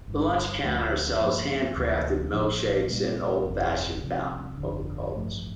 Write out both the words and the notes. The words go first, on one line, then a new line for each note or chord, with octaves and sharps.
The lunch counter sells hand-crafted milk shakes and old-fashioned fountain Coca-Colas.
G1 G2 D3
D2 D3 F3 A3
G2 F3 A#3
D2 C3 E3 A#3
A1 A2 F3 A#3
C2 A#2 G3 A#3
G1 F2 C3
C2 C3 F3
G1 F2 D3
A1 G2 F3 A3